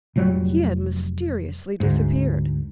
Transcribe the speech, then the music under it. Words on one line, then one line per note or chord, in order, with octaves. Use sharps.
He had mysteriously disappeared.
F1 A#2 F#3 G3
D2 G#2